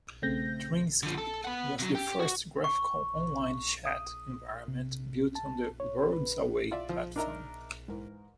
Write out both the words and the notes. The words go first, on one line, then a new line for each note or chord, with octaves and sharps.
"Dreamscape" was the first graphical online chat environment built on the WorldsAway platform.
C#3 A3 C4 G6 A#6
D3 F3
A4
B3 F#5
C3 F#3
G4
F#4
C#6
D#6
C3
A5
C#5
B4
F4 D5 E5
F3
D4 D#4 A#4 D#5 E5 A#5
G#2 E3 A#4